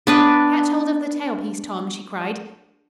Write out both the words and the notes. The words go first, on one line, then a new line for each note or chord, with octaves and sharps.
"Catch hold of the tail piece, Tom," she cried.
B3 D4 B4